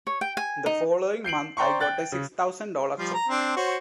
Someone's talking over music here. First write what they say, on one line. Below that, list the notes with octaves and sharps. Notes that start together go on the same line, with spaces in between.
The following month I got a six thousand dollar cheque...
C#5
G5
G#5
D#4
G6 C7 D7 F#7
C5 D5 G5 A#5 C6 C#6
G5 F#6 A6
C#3
F3 G3 F4
A#5
C4 D4
F#4 C5 C#5